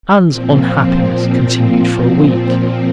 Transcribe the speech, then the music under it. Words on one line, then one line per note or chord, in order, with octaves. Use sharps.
Anne's unhappiness continued for a week.
A#2 F3 C4